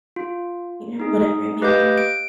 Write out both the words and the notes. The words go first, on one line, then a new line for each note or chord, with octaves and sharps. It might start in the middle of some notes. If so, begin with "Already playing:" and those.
you know, whatever it may be.
F4
D#4 G#4
G4 B4 D#5 F5 D6 G6
D7